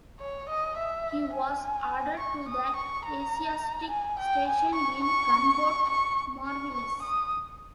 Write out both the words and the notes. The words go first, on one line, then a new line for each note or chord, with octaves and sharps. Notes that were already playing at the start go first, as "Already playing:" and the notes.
He was ordered to the Asiatic Station in gunboat "Mariveles".
C#5
D#5
E5
G#5
C#6
D#6
C#6
A#5
G#5
G5
G#5
C#6
C#6
C#6
C#6
C#6
D#6